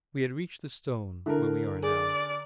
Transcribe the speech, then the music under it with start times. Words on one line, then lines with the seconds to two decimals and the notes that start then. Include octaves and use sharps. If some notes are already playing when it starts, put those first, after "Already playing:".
We had reached the stone where we are now.
1.26 D3 E4 A4 A#4
1.83 G#4 D5